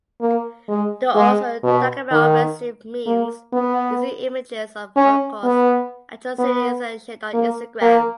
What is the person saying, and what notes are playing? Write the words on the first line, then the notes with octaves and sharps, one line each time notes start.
They also document offensive memes using images of Holocaust atrocities and shared on Instagram.
A#3
G#3
G#3
B2
D#3
A#3
B3
C#4
B3
B3
A#3
A#3